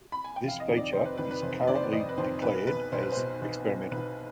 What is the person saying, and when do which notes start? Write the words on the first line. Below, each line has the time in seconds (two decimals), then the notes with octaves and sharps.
This feature is currently declared as "experimental".
0.12 B5
0.24 G#5
0.36 G5
0.43 F1 F5
0.60 D#5
0.68 F2 D#3
0.77 D5
0.93 F1 C5
1.05 B4
1.18 F2 D#3 B4
1.31 B4
1.42 F1 C5
1.67 F2 D#3 D5
1.75 C5
1.83 D5
1.93 F1 D#5
2.09 B4
2.18 F2 D#3 C5
2.42 B1 B4
2.67 B2 B4
2.92 B1 C5
3.03 B4
3.12 C5
3.17 B2
3.42 B1
3.67 B2
3.92 B1 B4